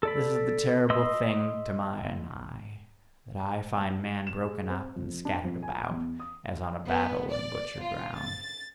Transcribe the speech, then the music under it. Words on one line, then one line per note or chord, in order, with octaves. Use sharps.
This is the terrible thing to mine eye, that I find man broken up, and scattered about, as on a battle- and butcher-ground.
A4 D5 B5
D#5 B5 C6 D#6 E6
E7
G#4
C4
F2
D4
F2
G#5
E2
D#6
B3
D5
F4
A6